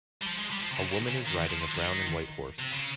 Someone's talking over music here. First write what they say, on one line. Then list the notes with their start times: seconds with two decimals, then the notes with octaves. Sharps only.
A woman is riding a brown and white horse.
0.23 G3
0.27 F3
0.39 G#3
0.52 G3
0.63 F3
0.72 C3
0.76 C#3
0.92 D#3
1.08 C#3
1.25 D#3
1.50 F3
1.75 D#3
2.59 C3
2.72 C#3